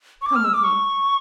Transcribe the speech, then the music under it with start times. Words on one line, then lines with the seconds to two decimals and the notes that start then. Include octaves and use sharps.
Come with me.
0.22 C#6
0.26 D6
0.36 F6
0.45 E6
0.54 D6
0.64 C#6